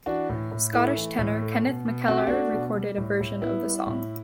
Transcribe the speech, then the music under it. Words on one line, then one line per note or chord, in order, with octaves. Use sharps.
Scottish tenor Kenneth McKellar recorded a version of the song.
E3 D4 F#4
A2
A2
A3 E4
E3
A2
A3
B2
B2
C4 F#4
G4
A3 D4 F#4
B2
G3
A2
A2
B3 E4
G3
A2